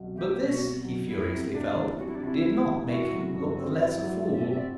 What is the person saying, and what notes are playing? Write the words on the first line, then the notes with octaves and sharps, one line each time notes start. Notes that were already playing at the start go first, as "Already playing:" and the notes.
But this, he furiously felt, did not make him look the less a fool.
Already playing: C2 B2 F#3
A3 G4
B2
F#4
C2
F#3
G3 E4
C3
D2 D4
E3
G3 F#4
E4
D4
C3 F#4
E4
D2
E3
E4 F#4
F#3
G2 F#4
C4
E5
E4 D5
F#3
G2 D5
E5
D5
C4 E5
D5